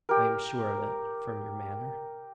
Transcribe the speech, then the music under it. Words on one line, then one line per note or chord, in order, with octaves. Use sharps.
I am sure of it, from your manner.
G4 A#4